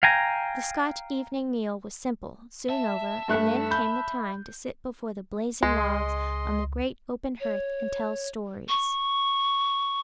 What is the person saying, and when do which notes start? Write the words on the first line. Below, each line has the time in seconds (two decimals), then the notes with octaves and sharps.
The Scotch evening meal was simple, soon over, and then came the time to sit before the blazing logs on the great open hearth and tell stories.
0.03 F5 G5 G#5 A#5
2.69 E5 A5
3.28 G2 A3 F#6
3.71 B5 G6
5.63 C#2 G#3 D#5 C6
7.40 C#5
8.69 C#6